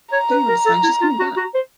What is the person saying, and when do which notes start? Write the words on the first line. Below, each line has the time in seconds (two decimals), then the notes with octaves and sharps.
Don't you understand, she's coming back!
0.12 C#5 A#5
0.31 B4
0.48 A#4
0.66 A4
0.84 E4
1.01 F4
1.19 F#4
1.37 F#4
1.54 C5